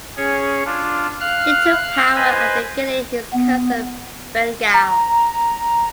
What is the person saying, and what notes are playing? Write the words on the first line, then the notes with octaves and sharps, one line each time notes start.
He took power after killing his cousin Berngal.
C#4 G#4 C#5
D4 F4
F5 F6 F#6
B4 C5 D#5 G#5
B3
A#5